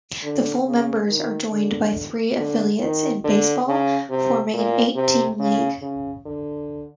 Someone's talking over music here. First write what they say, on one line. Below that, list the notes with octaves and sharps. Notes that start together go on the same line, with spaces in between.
The full members are joined by three affiliates in baseball, forming an eight-team league.
D3
C#3
D#3
D3
D3
D#3
D3
C#3
C3
A#2
C3
C#3
C#3
D3